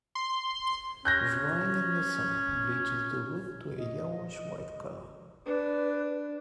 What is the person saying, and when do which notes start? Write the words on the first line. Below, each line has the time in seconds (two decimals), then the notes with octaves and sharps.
Drying in the sun bleaches the root to a yellowish-white color.
0.15 C6
1.05 C#4 F#6 G6 A#6
3.78 D#5
5.46 D4 B4